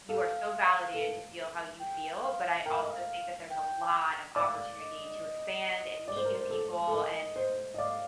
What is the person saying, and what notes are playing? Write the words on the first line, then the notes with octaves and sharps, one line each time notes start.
you are so validated to feel how you feel, but I also think that there's a lot of opportunity to expand and meet new people, and
A4 F5
A4
G5
F5
A#4 G5
F5
D#5
F5
G5
D5 F5
D#5
D5
C5
A#4
C5
A4
A4
A#4 D#5
C5
D#5
D5 F5